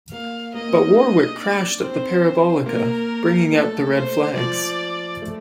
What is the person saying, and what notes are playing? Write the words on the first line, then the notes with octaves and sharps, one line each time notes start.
But Warwick crashed at the Parabolica, bringing out the red flags.
A#3 F5
A#3 D#5
C4
D#4
D4 D#5
D5
C4 C5
A#3 A#4
A3 A4
C5
F3 D5
A3